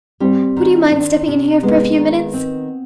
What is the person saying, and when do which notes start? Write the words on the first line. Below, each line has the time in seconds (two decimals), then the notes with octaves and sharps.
Would you mind stepping in here for a few minutes?
0.20 G3 C4
0.57 D#3
0.92 D4
1.27 C3
1.63 G#3 B3
1.98 D#3
2.34 C4